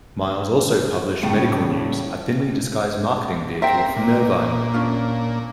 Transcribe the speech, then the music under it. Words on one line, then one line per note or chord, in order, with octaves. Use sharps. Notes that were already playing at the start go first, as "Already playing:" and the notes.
Miles also published "Medical News," a thinly disguised marketing vehicle for Nervine.
A2 C#3 G3 B3
C4 A#4 E5 G5
A#2
C#4 D4 F4